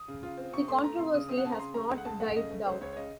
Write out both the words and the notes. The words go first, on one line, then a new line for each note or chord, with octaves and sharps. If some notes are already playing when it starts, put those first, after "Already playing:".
The controversy has not died down.
Already playing: D#6
C#3
F4
C4
C3 C#6
A3 C6
A3 A#5
C3 C6
C#3 D#6
C4 D#6
F#5
C#3 A5
A#5
C#3 C6
A3 A#5
C#2
F#5
C#2 A5
A3 F#5
C#3 D#5
A3
C#2 C5
C#2 C#5
C#5
C#3 D#5